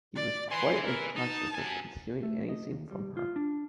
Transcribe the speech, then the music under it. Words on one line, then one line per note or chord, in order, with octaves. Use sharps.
He was quite unconscious of concealing anything from her.
D5
B4 G#5 C6
A#4
D#4 A5
F#2 G#5
A3
D#5
D#2
G3
F4
D4